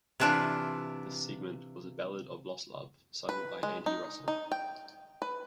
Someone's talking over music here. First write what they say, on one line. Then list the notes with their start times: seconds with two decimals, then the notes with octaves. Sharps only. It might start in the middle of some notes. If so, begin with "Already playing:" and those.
This segment was a ballad of lost love, sung by Andy Russell.
0.20 C3 E3 D4 E4 F4
3.29 B4
3.63 G#3
3.86 D#4
4.28 D#4
4.52 G5
5.22 B4